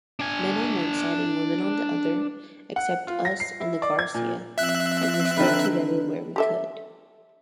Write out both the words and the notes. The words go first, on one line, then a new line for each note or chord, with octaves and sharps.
Men on one side and women on the other, except us and the Garcia, and we stood together where we could.
D4 G#5
F#5
F4
A#6
C7
E4
D5
G#6
A#2
F3 C4 E5 F#6
D3 D#3 B4
G4 A4 E5